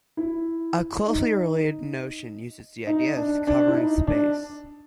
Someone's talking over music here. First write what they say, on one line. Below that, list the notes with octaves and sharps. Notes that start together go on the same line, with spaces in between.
A closely related notion uses the idea of covering space.
E4
D#4
D#4
D4
D4
E4
D#4
D4